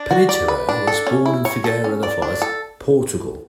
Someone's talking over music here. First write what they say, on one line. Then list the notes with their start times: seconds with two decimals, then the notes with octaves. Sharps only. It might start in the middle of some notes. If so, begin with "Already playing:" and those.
Penicheiro was born in Figueira da Foz, Portugal.
Already playing: D4
0.11 F#4
0.29 D5
0.48 B4
0.69 D4
0.87 A4
1.07 C#4
1.26 E4
1.45 C#5
1.64 A4
1.84 C#4
2.03 D5
2.22 D4
2.42 A4